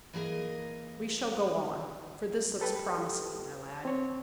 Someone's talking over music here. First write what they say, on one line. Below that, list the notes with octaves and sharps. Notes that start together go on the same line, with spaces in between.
We shall go on; for this looks promising, my lad.
E3 A#3 G#4 A#4 D#5
G4 A4 B4 G5
C4 C#5